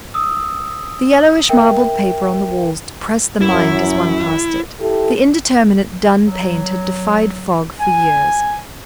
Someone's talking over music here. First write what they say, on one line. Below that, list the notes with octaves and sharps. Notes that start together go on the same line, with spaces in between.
The yellowish marbled paper on the walls depressed the mind as one passed it; the indeterminate dun paint had defied fog for years.
D#6 E6
A#4 E5 G5
F#2 E4
E4 G4 A4
F#3
G#5